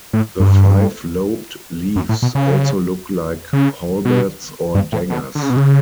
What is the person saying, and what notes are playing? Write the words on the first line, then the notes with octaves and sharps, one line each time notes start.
The five-lobed leaves also look like halberds or daggers.
A2
G2
F#2
A2
B2
C#3
C#3
B2
G2
A2
B2
D3
C#3
B2
C#3